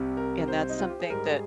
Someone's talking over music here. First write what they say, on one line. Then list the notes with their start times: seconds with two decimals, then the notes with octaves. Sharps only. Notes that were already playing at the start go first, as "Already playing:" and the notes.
And that's something that
Already playing: C2 C3 G3
0.17 A#4
0.38 A#4
0.48 C5
0.69 D#4
0.79 F4
0.89 G4
1.00 G#4
1.10 G#2 G3 A#4
1.25 G#4